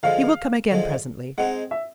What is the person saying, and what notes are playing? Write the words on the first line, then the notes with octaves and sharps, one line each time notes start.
He will come again presently.
D3 F3 G#3 F5
D3 F3 G#3
G#3 C4 D#4 G#4 F#5
E5